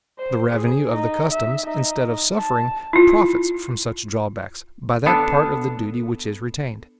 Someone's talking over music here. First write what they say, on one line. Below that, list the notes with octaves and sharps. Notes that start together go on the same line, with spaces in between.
The revenue of the customs, instead of suffering, profits from such drawbacks, by that part of the duty which is retained.
C5
G#4
D#4
E5
D#4
A5
E4 F4
B3 D4 A4